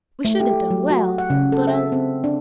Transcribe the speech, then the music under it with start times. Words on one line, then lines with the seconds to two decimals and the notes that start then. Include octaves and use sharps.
We should have done well, but alas!
0.25 A3
0.40 G4
0.70 F#3
0.90 F#4
1.18 F#5
1.30 C#3
1.52 A4
1.67 E5
1.92 C4
2.24 D4